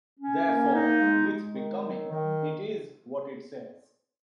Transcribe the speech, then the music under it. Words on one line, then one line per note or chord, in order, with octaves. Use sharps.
Therefore, with 'Becoming,' it is what it says.
C#4
A#3
D#4
G#3
G#3
D#3
F#3
D#3